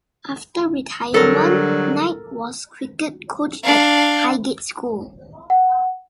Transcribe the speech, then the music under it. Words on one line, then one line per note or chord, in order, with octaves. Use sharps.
After retirement, Knight was cricket coach at Highgate School.
D3 F#3 G3 A4 A#4
D4 F5
F#5